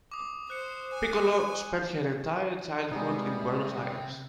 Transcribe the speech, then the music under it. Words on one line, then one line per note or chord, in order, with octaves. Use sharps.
Piccolo spent her entire childhood in Buenos Aires.
D6 D#6
C5 F#6 C#7
G#5
C3 G3 G#3 B3 D#4